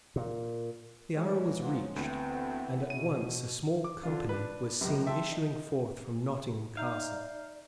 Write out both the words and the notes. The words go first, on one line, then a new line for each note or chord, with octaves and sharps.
The hour was reached, and at once a small company was seen issuing forth from Nottingham Castle.
A#2
B2 E3 G#3 C#5
F3 F#3
D2 E3 B3 C4
B2 D#7
D6
D3 D4 F4
D4 B4
C#2 F#2 C3
E5 G5 A5 C6
D#4
D#4 D5 E5 F5 A#5 G6